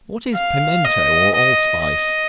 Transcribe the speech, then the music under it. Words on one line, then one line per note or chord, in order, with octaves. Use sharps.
What is Pimento or Allspice?
F5
D#5
D#5
D#5